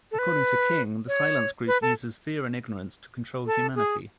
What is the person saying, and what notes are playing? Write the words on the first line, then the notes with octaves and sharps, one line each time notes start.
According to King, the Silence Group uses fear and ignorance to control humanity.
A4
B4
C#5
B4
A4
A4
G#4